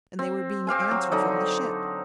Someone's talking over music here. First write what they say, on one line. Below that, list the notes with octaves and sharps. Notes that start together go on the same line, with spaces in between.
And they were being answered from the ship!
C4
C4 G4 F5 G#5
F#3
D3 F#3 D#4